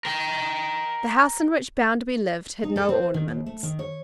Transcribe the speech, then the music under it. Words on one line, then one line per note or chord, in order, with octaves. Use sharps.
The house in which Bounderby lived had no ornaments.
A#4 G5
D#4
A4
C4
D#3
D#2
A3
D#3
C#5